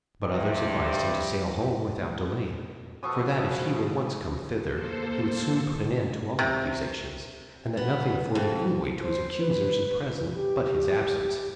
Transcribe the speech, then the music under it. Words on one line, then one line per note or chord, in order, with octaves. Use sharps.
But others advised him to sail home without delay; for that if he were once come thither, he would soon put an end to all accusations, and that nothing afforded any weight to his accusers at present but his absence.
G2 C3
B2 F3 A4 C#6 D#6
A#3 A4 C5
C3
B3
F2
C5
B4
G4